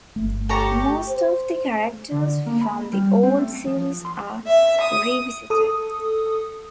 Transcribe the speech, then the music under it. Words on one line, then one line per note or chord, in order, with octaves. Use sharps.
Most of the characters from the old series are revisited.
G1 A3
G4 A4 C#5 A#5
C5
D3
A#3
B5
G3
C4
A3
F3
C6
E5
D#6
A4 D#6